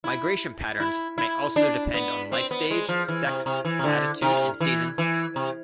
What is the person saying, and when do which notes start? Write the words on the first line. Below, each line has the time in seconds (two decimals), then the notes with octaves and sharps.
Migration patterns may also depend on life stage, sex, latitude, and season.
0.04 E4
0.80 E4
1.18 E4
1.56 D4
1.94 B3
2.32 C4
2.51 B3
2.71 G#3
2.89 F3
3.09 E3
3.27 C3
3.46 C3
3.65 E3
3.79 C3
3.84 D3
4.22 C3
4.61 E3
4.98 E3
5.36 C3